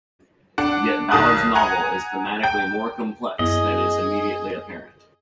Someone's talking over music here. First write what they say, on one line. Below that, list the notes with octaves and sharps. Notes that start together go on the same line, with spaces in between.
Yet Ballard's novel is thematically more complex than is immediately apparent.
D4 F#5
B1 D#3 A5 D#6 F#6
F#5 G#5 A#5
G5
F#2 B3 E4 G#4 D#5